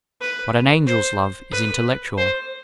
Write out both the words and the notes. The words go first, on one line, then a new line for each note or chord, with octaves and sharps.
But an angel's love is intellectual.
B4
C5
B4
C5